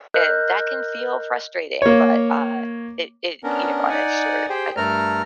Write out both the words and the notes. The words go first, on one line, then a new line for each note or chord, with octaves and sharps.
and that can feel frustrating, but, uh, it it you know, and I'm sure I don't
A#4 D#5 F#6 G6
A#3 C#5
B3 C#4 D4 A#4
D#4 D5 F#5 G#5
G4 G#4 C5 G5
G2 A3 A4 A#4 A#5 F6